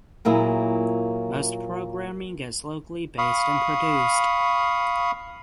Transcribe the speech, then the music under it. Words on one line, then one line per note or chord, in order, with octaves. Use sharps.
Most programming is locally based and produced.
A#2 F#3 A#3 E4 F4 G#4
F5 B5 C#6 D#6